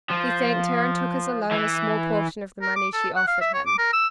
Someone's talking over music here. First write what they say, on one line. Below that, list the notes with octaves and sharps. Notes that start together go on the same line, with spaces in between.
He thanked her and took as a loan a small portion of the money she offered him.
F3
E3
A#4
D6
A4
F#5
F5
E5
C#5
D6
A#4
E6